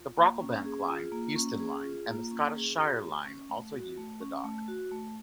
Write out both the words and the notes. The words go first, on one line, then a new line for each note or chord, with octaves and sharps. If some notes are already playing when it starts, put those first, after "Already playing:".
The Brocklebank Line, Houston Line and the Scottish Shire Line also used the dock.
Already playing: F4
A#3
C#4
G#4
F4
A#3
C#4
G#4
F4
A#3
C#4
G#4
F#4
A3
C#4
A3
F#4
A3
C#4
A3
F#4
A3